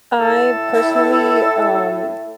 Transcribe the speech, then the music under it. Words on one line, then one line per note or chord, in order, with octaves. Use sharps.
I personally, um
A2 A4
E4